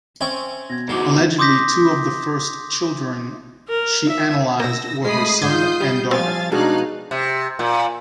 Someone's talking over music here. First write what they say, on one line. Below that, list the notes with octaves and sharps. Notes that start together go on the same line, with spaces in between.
Allegedly two of the first children she analysed were her son and daughter.
C4 C#4 C#5 E5 G5 C#6
B2 G#6 A#6
E2 G#2 F#3 F#4 D6 C7
C6 D6 D#6 G6 A#6 B6
A#4
E5
B2 A#3 E6 A#6
G#3 A3 B5 D#6 C7
G#2 F4 D#6 G6 G#6 C7
G3
F3 C4 F5 G#5 A6
B2 G#3 D4 D#4 C#5 F5 F#6
C3
A#2